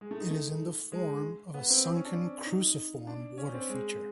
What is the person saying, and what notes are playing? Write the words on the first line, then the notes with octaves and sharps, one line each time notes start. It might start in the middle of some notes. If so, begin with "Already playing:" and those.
It is in the form of a sunken cruciform water-feature.
G#3
A3
D#4
A3
G#3
B3
C4
C4
C#4
D4
D#4
D4
C#4
C4
G#3